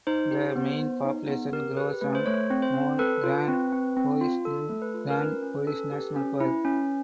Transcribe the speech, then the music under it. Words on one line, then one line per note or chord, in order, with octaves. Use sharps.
The main population grows on Morne Grand Bois in Grand Bois National Park.
D#4 C5
G4
B3
B3
D#4
B3
G4 A#4
G4 B4
A3 B4
C5
A3 C#5
C4
C5
C4
A4 B4
F4
C4
C4
C4
F4
A4
A3
B4
F4
A#4
C#4 B4
C#4
A4
G4
C#4
E4
C#4